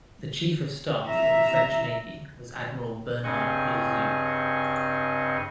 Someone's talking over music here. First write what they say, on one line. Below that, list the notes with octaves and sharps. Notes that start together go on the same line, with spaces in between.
The Chief of Staff of the French Navy was Admiral Bernard Louzeau.
E5 A#5
G2 C#3 C4 D#5 G#5 C#6